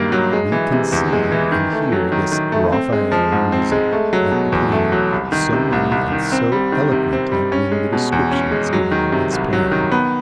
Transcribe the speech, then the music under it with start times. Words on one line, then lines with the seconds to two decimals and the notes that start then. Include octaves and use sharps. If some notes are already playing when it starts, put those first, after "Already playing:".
We can see and hear this "Raphael of Music" at the piano, so many and so eloquent have been the descriptions given of his playing.
Already playing: G2 D#3 F#3 A#3
0.12 F#3
0.33 G#3
0.52 E3
0.72 C3
0.92 E2
1.13 G#3
1.32 E3
1.52 D#3
1.73 A3
1.92 F#3
2.12 D#3
2.32 D#3
2.52 A3
2.72 C4
2.92 G#3
3.12 F3
3.32 G#2
3.52 C4
3.72 G#3
3.93 A3
4.13 F#3
4.32 B2
4.52 E2
4.72 A3
4.92 F#3
5.12 C2
5.32 D#3
5.53 C3
5.72 C2
5.92 C2
6.12 D#3
6.32 C4
6.52 G3
6.72 D#3
6.92 C3
7.13 C4
7.32 G3
7.52 C#4
7.72 G#3
7.93 B2
8.12 E2
8.32 C#4
8.52 G#3
8.73 F#3
8.92 D#3
9.12 C3
9.33 C2
9.53 F#3
9.71 D#3
9.91 B3